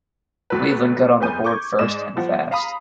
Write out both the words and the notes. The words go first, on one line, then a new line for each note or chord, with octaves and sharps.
Cleveland got on the board first and fast.
D2 F#3 B4
F#1 F2 B3 G#5 G6 D#7
C#6 D6 G6 G#6
G#2 D5 D#5 D#6 E7
G1 F3 F#5
F5 A#5 B5 D#6